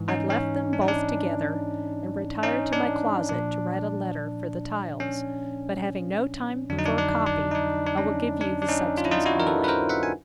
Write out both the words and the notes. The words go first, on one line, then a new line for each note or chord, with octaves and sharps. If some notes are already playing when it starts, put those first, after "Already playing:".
I left them both together, and retired to my closet to write a letter for the tiles; but having no time for a copy, I will give you the substance only.
Already playing: G#2 E3
C#4 D#4
C#4
D4
D#4
D4
C#4 D#4
D4
A#2 F3 D4
C#4
F2 D3 F#3 D4
D#4
D4
D4
D4
D#4
D4
D4
C#4
D4
D4
C#4 D#4
F4
E4
D#4 F4
E4 F#4
A#4
A4 B4
B4
A#4 C5
E5 F#5
G#5